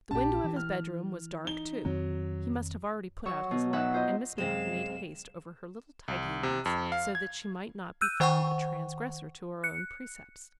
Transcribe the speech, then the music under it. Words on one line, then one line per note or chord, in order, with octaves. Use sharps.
The window of his bedroom was dark too: he must have already put out his light, and Miss Mapp made haste over her little tidyings so that she might not be found a transgressor to her own precepts.
A#1 A#2 C#4 G4 A5
E3
F6
D#4 G7
F2 D#3 F#3 C4
F#3 C#5 C#6 E6
B2
F#3 D#4 E5 E6 F#6
F4 C5 D#5
F#2 C3 G#3 C4 F5 E7
C2
C3
F2
F5
G#6
E6 F#6 G6 D#7
D#3 C5 F#5 G5 C#6
F#6 C#7